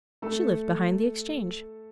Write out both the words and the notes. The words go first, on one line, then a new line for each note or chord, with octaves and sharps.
She lived behind the Exchange.
A3 A4